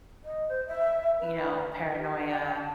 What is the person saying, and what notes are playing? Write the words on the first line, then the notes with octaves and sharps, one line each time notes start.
you know, paranoia,
D#5
C5
E5
B4
G4
G5
A5